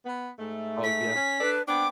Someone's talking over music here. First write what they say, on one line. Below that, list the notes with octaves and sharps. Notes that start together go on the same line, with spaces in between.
Oh, yeah.
B3
G#2 A3
B6
C#4
D4 A4 B4 D5
B3 C4 D4 G5 D6